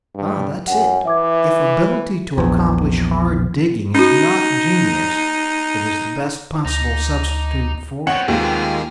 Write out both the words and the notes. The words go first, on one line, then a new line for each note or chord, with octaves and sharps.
Ah, that's it; if ability to accomplish hard 'digging' is not genius, it is the best possible substitute for it.
G2
F#2 F#5 G#5
E3 E5 D6 G#6
A#1 E2
C#4 D#4 F#4
D2 D#4
B3 C4 C#5 F#5
D#2 D#3 G#3 A#3 F4